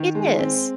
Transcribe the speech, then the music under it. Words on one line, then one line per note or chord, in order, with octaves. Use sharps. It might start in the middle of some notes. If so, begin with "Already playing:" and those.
It is.
Already playing: D#3
G#3
C4